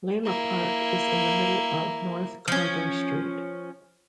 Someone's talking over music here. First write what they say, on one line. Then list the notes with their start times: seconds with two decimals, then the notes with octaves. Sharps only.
Laleh Park is in the middle of North Kargar street.
0.25 A#3 E4
2.48 F3 C#4